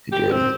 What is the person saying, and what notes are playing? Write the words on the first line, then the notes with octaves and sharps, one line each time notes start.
It did,
G4
C4